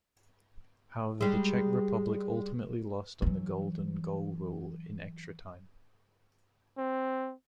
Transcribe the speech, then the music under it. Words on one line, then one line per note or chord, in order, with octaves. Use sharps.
However, the Czech Republic ultimately lost on the golden goal rule in extra time.
G3 G#3
E3 F#3
C4